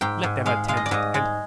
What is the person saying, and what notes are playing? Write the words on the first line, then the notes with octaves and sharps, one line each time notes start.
"Let them attempt it, and...."
G#2 G5
G#2
G#3 F5
G#3 F5
D#5
D5
G#2 D#5
G#3